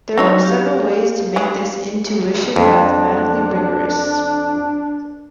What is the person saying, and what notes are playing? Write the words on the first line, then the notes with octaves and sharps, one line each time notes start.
There are several ways to make this intuition mathematically rigorous.
F#3 C4 D#4 F#4 C#5
G4 F5
G#3 G#4
F2 D4